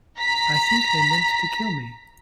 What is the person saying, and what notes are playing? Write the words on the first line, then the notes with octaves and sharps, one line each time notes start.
I think they meant to kill me.
A#5 B6